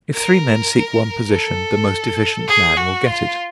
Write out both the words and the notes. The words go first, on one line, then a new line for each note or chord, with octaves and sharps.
If three men seek one position, the most efficient man will get it.
A#4
A4
G#4
F#4
F4